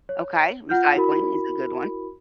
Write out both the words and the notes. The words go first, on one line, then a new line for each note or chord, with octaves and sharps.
Okay, recycling is a good one.
C#5
F4 F#5 F6 G6
E4 F#4 A#4 B5